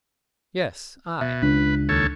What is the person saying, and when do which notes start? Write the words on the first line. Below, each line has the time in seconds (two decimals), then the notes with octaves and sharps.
"Yes, I!"
1.21 B2 E5
1.42 C#2 D4 B4
1.89 D#2 A4 C#5